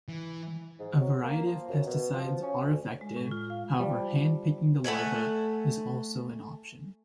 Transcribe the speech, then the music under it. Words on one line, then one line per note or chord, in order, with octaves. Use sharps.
A variety of pesticides are effective; however, hand-picking the larvae is also an option.
E3
G#2
F#3
A#3
F3
F#2
B2
F3
C#4
D2
G#3
A2
F4
F5
F3 G3
A3 E5 F#5 G#5